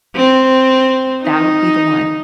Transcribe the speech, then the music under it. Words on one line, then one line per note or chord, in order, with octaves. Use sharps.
that would be the one.
C4
D#4